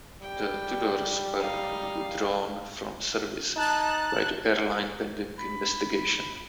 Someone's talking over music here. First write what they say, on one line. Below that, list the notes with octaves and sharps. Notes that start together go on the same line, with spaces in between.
The Tudors were withdrawn from service by the airline pending investigation.
G3 G5
D#4 F5
D#4 A5 F#6
B5